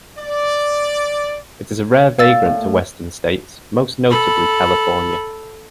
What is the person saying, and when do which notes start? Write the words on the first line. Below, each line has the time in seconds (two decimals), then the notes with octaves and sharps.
It is a rare vagrant to western states, most notably California.
0.19 D5
2.19 A#2 F5 E6 A6
2.45 A2
4.10 A4 B5